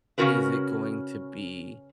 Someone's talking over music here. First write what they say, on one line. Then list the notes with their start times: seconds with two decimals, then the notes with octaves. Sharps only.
is it going to be
0.18 C#3 F3 C#4 F#4 A#4 B4